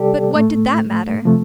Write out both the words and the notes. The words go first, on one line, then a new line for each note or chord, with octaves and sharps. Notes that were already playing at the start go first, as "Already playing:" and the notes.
But what did that matter?
Already playing: C3 G3 G4 A4 D5
A2 A3
C3 F3 A3